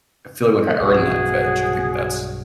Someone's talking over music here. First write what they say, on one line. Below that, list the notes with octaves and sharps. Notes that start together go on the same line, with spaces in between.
I feel like I earned that veg. I think that's
B1 G2 G3 F#4 G#4